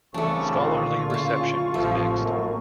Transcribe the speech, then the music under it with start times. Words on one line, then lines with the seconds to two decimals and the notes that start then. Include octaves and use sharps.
Scholarly reception was mixed.
0.14 C2 C#3 E3 A3 D4 A4 C#6 D6
0.49 A#2 D3 F4 C#6
1.10 C#3 E4 A5
1.74 A1 C3 F3 A3
2.16 G#1 F#2 A#3